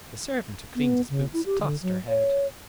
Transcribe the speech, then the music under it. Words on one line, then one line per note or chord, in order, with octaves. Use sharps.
The servant who cleaned his boots tossed her head.
B3
C#3
E4
G4
D3
F#3
C#5